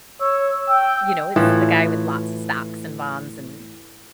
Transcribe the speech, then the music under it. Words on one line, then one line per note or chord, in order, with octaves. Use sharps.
you know, it's the guy with lots of stocks and bonds and
C#5 E6
G5
A2 E3 F4